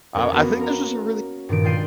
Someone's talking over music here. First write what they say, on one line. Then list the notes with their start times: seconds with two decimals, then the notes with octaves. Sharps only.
I w I think this is a really
0.14 F2 C#4 A#4 C#5
0.32 A#3 B3 F#4 A#4
0.61 A#4 A#5
1.49 G2 A#2 D#3 D7
1.63 G#3 F4 D5 G5 C7 D#7